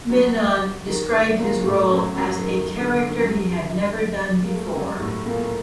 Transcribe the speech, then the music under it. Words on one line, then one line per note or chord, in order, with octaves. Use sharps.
Menon described his role as "a character he had never done before".
F#3 F#4
D#3 D#4
D3 D4
A#2 A#3
A2 A3
F#2 F#3
F#2 F#3
D#3
D3
D#3
F#2 F#3
D3
A#3
A3
G3
F#2 F#3
G3
A2 A3
A#2 A#3
A#3